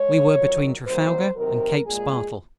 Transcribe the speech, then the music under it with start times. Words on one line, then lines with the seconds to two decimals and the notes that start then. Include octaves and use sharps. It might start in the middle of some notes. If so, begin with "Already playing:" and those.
We were between Trafalgar and Cape Spartel.
Already playing: G#3 C#5
0.35 F2 D#3 F#3
0.85 C3 D#3 F#3 A#3 C5
1.35 C3 D#3 F#3 A#4
1.86 A#2 G#3 G#4